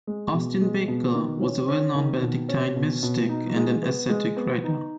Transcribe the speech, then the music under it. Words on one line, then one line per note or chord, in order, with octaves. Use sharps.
Austin Baker, was a well-known Benedictine mystic and an ascetic writer.
G#3
B2
G#3
B2
D#3
C#4
C#4
D#3
B2
C#4
B2
B2
D#4
G#3
B3
G#3
B3
D#4